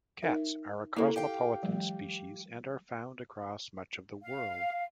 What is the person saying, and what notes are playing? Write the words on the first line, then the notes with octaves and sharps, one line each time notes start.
Cats are a cosmopolitan species and are found across much of the world.
D#4 A#4 E5
C#3 A#3 E4 A4
G4 F5 G5
E3 F#3 G#3
F5